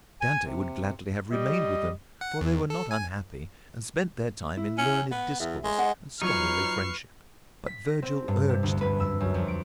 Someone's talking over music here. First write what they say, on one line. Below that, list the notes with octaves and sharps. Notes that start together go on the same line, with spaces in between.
Dante would gladly have remained with them, for they were not unhappy and spent their time in learned discourse and scholarly friendship, but Vergil urged him onward.
G#5
C3
G3 D#5
F#5
E2
A4
G#5
E4
C#4
B3 F#5
E2 E5 B5
G#3
D#5 F#5
F3 F#3 D#4 B4 C#5 C#6 F6 C7
B6
A#6
C4
G2
C3
D2
B4
E6
F#2
F2
D7